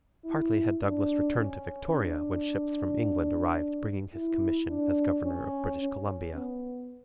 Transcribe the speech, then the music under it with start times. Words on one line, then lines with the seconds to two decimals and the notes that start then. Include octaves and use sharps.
Hardly had Douglas returned to Victoria when ships from England arrived bringing his commission as governor of British Columbia.
0.25 E4
0.81 D4
1.36 C#4
1.91 D4
4.14 E4
4.69 D4
5.24 C#4
5.80 C#4
6.36 B3